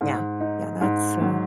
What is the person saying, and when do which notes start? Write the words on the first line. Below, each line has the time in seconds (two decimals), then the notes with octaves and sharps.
Yeah. Yeah, that's, uh
0.01 G#2
0.40 D#4
0.81 G#2
1.21 F#3